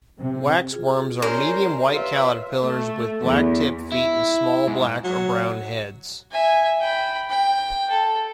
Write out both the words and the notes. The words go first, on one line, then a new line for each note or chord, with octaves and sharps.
Waxworms are medium-white caterpillars with black-tipped feet and small, black or brown heads.
C3
F4 G#4
C#4 G4 A#4 C5 D5
F4 B4 C#5 E5
A3
E2
E4
G#2
F#3
E5 G#5
G5 B5
G5
A4